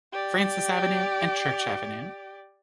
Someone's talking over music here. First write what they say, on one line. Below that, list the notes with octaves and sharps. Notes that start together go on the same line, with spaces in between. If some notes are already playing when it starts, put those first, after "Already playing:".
Francis Avenue and Church Avenue.
G4 D5